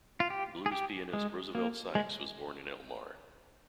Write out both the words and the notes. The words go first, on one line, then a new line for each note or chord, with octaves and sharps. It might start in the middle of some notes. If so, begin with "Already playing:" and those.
Blues pianist Roosevelt Sykes was born in Elmar.
F4
G4
G#4
G4
G#3
A#3
G#3